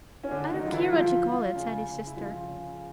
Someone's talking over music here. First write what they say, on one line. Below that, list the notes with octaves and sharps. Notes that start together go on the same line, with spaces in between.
"I don't care what you call it," said his sister.
C#4
D3 D4
D#3 D#4
F#3
F4
E3 E4
F3 F4
F3
C#3
C#3
E4
F3 F4
C#3